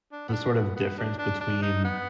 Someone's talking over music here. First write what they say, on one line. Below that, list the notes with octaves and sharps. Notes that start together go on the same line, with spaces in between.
the sort of difference between
D4
B3
D4
B3
B3
D4
D4
D4
D#4
B3